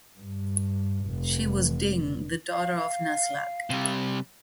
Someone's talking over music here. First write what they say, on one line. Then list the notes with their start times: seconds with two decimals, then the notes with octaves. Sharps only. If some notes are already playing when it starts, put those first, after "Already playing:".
She was Ding, the daughter of Naslag.
0.19 G2
1.07 F1
2.50 F5
3.70 C3 G3